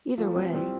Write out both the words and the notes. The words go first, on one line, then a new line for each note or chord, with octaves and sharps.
either way,
F3 A3 F4
G3 C4
F3
E3 G3 C4